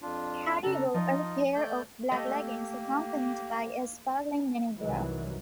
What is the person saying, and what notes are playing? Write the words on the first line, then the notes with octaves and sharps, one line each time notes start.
Carey wore a pair of black leggings, accompanied by a sparkling mini-bra.
F2 D4 F4
C#3 D4 A4 A5 A#5
F3 D#4 F4 D#5
A3 D5 G6
A3 A#3 G4 A4 D#5
C2 F#2 D#3 E3 F#3